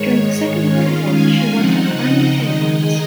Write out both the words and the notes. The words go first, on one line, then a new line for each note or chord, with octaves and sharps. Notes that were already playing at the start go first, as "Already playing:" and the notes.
During the Second World War she worked at an Army Pay Office.
Already playing: G#2 D#3 G#3 C#5
D#3 G#3 C#4 F4 F5
G#5
C#3 F3 C4 D#4 F#5
D#5
D#3 G#3 D#4
G#4